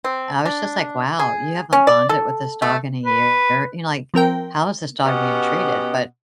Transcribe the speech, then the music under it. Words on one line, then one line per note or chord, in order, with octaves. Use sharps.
I was just like, "Wow, you haven't bonded with this dog in a year? You know, like, how is this dog being treated?" But
C4
D4
G#4
C#4
D5
A4
A3
B4
F3 C4 A#4 G5
B2 B3 C#4 G4 D#5 F#5